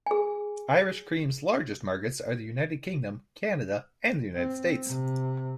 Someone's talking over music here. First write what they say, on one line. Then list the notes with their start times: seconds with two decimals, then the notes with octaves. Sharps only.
Irish cream's largest markets are the United Kingdom, Canada, and the United States.
0.06 G#4 G#5
4.36 C4
4.87 C3